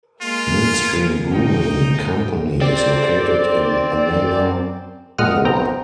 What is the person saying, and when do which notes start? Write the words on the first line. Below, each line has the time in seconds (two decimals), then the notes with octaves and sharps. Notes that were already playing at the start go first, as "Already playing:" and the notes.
Millstream Brewing Company is located in Amana, Iowa.
0.22 G#3 A#3 F4
1.35 B2 D3 A3 D#4 G5
2.61 C4 D5
5.18 A#2 G#3 D#5 F#5 D#6 F6
5.45 B3 C4 G5 A#5